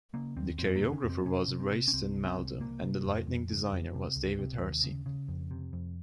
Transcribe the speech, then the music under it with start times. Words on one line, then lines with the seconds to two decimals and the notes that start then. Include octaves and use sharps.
The choreographer was Royston Maldoom and the lighting designer was David Hersey.
0.14 C#3 A#3
0.36 D#2 C4
0.59 F2 C4
0.76 A#3
0.81 C#3
0.92 C#4
1.04 F2
1.09 C4
1.25 C3 C#4
1.48 C3
1.60 C4
1.70 C3
1.88 C#4
1.93 C2 C4
2.16 C2
2.26 C4
2.38 C2
2.59 C3 A#3
2.82 C3
3.05 F2
3.27 F2
3.49 C#3
3.72 F2
3.95 C3
4.16 C#2
4.39 C3
4.61 D#2
4.84 C#3
5.06 C#3
5.28 F2
5.51 C3
5.73 F2